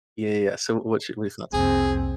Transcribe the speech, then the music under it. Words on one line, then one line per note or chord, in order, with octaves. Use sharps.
Yeah, yeah, yeah, so, what's your what are your thoughts?
C2 F2 A#3 C4 G#4